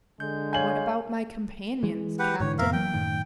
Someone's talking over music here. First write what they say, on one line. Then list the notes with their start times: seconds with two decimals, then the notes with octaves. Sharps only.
"What about my companions, captain?"
0.20 D3 G#3 G6
0.53 C#5 F5 G#5 G6 F#7
1.83 E3 G#3
2.19 G4 B4 F#5
2.40 G#2 D3 E3 C#5
2.58 F2 A2 C3 A#4 E5 F5
2.73 E3 F#3 A#3 G5
2.94 F#2 A2 D#3